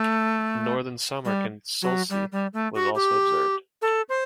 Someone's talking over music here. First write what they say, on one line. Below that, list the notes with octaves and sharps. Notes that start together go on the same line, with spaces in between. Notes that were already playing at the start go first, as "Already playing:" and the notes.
Northern Samarkand Sulci was also observed.
Already playing: A3
G3
F#3
G3
G3
A3
F#4
G4
A4
C5